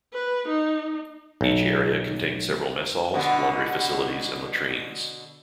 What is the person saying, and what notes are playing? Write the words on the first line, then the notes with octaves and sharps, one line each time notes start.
Each area contained several mess halls, laundry facilities and latrines.
B4
D#4
B1
B2 D3